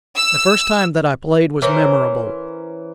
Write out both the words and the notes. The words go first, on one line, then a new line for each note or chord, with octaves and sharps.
The first time that I played was memorable.
E6
E3 C#4 A#4 C5